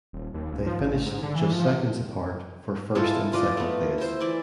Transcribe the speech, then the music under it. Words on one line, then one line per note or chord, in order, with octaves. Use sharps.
They finished just seconds apart for first and second place.
D#1
D#2
C#2
F3
A1
G#2
D3
E3
F3
G#3 E4 F4 A4
F4 B4 D5 D#5
A3 B3
E4 C5
E3 E4 D5